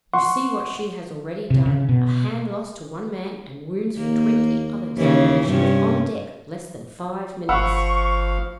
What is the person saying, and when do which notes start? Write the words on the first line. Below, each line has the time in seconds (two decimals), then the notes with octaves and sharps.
You see what she has already done--a hand lost to one man and wounds for twenty others--and she was on deck less than five minutes.
0.14 F#5 C6 C#6
1.50 C3
1.66 C#3
1.89 B2
3.97 D#2 A#3
4.97 D#2 C#3 E3
5.48 G2 C3 G3 C#4
7.49 G1 F3 F5 F#5 B5 C#6 E6